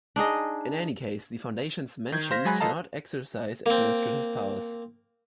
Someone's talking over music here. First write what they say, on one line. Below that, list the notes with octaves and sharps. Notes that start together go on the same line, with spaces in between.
In any case, the foundations mentioned cannot exercise administrative powers.
D4 D#4 G#4 D#5
D#3 G6 G#6
C5 F5 A#6 B6
F#3 G#3 G#5 B5 F#6
F4 A4 D#5 F5 A5 A#5
A#3 C4